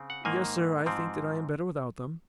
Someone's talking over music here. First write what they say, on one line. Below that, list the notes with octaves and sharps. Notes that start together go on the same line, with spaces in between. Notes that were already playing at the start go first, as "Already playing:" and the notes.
"Yes, sir; I think that I am better without them."
Already playing: C#3 C4
F#5
G#2 D#3 A#3 G#5
G#2 F3 C4